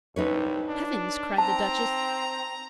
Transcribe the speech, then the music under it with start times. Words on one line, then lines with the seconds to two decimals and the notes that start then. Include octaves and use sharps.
"Heavens!" cried the Duchess.
0.16 C2 D#4 B4 C#5
0.68 D4
1.38 C4 A5 A#5